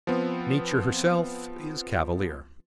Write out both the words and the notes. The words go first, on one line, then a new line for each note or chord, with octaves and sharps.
Nature herself is cavalier.
F3 B3 C4